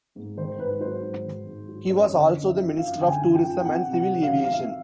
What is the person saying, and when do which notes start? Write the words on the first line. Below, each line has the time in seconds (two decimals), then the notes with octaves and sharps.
He was also the minister of tourism and civil aviation.
0.16 G#2
0.37 D#3 C5
0.59 G#2 B4
0.80 F#3 C5
1.03 G#2
1.25 D#3
1.46 G#2
1.68 F#3
1.90 F#2 C#5
2.12 D3
2.20 D#5
2.34 F#2
2.48 E5
2.56 F3
2.78 F#2 F5
2.99 D3 G5
3.07 G#5
3.21 F#2
3.35 G5
3.43 F3
3.60 G5
3.65 F2 F#5
3.87 C3
3.93 F#5
4.08 F#3
4.23 F5
4.30 D#3
4.44 F5
4.52 F2 E5